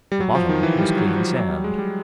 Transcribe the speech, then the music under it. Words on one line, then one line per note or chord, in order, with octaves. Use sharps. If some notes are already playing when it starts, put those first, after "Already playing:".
The bottom was clean sand.
G3
F#3
F3
D#3
E3
G3
F#3
F3
F#3
G3
G#3
G3